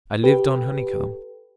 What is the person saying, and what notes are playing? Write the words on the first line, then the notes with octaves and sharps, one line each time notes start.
I lived on honeycomb.
G4 A4 B4